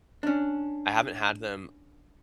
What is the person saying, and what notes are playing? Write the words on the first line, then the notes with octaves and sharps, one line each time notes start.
I haven't had them
C#4 D4